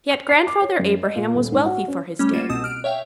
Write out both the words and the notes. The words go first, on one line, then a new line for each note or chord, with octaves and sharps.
Yet Grandfather Abraham was wealthy for his day.
F7
C7
D6
C#5
F#2
D#5
A#2
D#1
G#2
F#4
C#4
G3 A3 C#4
A#3 F4 F#4 E7
C2 B2 C4 D#6 E6 E7
F6 F#6 D7
C#5 E5 F5 G5